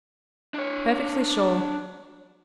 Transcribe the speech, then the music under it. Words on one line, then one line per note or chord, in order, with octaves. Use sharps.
"Perfectly sure."
D4 C#5